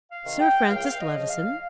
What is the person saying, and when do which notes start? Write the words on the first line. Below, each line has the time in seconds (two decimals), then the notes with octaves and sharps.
Sir Francis Levison?
0.10 F5
0.25 C3 D#3
0.40 G5
0.69 C#2 F5
0.76 G5
0.84 F5
0.99 D#5
1.15 C#3 F3
1.29 F5